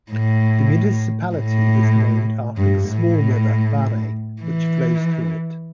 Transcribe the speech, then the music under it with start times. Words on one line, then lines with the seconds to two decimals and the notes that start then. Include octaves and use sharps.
The municipality is named after the small river Bahre which flows through it.
0.11 A2
1.34 A2
2.57 G2
2.88 A2
4.42 E3